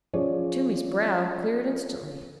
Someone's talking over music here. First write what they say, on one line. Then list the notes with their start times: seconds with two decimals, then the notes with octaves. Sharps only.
Toomey's brow cleared instantly.
0.13 F3 C#4 G#4 C#5 D5